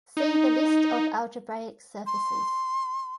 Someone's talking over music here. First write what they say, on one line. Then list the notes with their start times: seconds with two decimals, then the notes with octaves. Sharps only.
See the list of algebraic surfaces.
0.17 D#4
2.06 C6